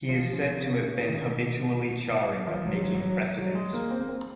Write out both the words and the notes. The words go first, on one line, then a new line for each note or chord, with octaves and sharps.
He is said to have been habitually chary of making precedents.
F3
C#3
C3
C#3
D#3
F3
F#3
F#3
F#3
F#3
G#3
A#3
C4
A#3
C4